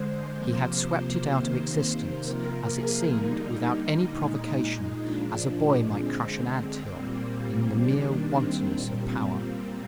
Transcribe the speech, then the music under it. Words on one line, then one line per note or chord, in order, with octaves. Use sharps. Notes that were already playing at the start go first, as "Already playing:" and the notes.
He had swept it out of existence, as it seemed, without any provocation, as a boy might crush an ant hill, in the mere wantonness of power.
Already playing: D3 G#3 C5
C3 F3 A#3 C5
C3 D#3 A#3
C3 F3 A#3 A#4
G#4
D3 G3 A#3 D#4
A#2 G#3
A#2 F3 G#3 D4
D3 G#3 C4
A#2 G3 A#3
D#3 G3 A#3 D4
C4
A#2 G3 A#3